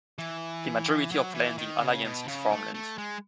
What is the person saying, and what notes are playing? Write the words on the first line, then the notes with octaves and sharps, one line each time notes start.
The majority of land in Alliance is farmland.
E3
F#3
E3
D#3
C#3
B2
C#3
A3
A3
G#3